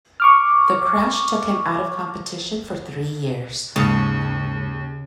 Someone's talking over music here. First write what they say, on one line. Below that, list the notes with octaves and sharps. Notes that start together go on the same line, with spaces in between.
The crash took him out of competition for three years.
C#6 D6 F6
D#2 G#2 C#3 A5 C#7